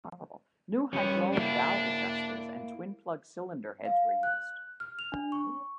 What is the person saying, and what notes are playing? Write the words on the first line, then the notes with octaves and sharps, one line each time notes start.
New hydraulic valve adjusters and twin plug cylinder heads were used.
G3 B3 C#4
A#3 D4 E4
F5
F#6
F6
F7
D4
C#6